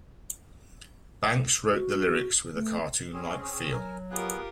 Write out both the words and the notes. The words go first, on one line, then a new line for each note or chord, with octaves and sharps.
Banks wrote the lyrics with a cartoon-like feel.
F#4
A3
C4 C#4 G#4
F#3 A#4 G#5
B2 B3 F4 G4 G#4 A#4 F#6